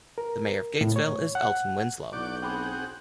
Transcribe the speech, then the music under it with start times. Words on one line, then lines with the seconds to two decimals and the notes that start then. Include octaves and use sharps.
The mayor of Gatesville is Elton Winslow.
0.18 A#4
0.81 A2
0.96 C#5
1.35 F#5
2.13 B1 E4 D5 F#5 C#6 D6 G6
2.42 C4 G#4 F#5 G5 B5 D6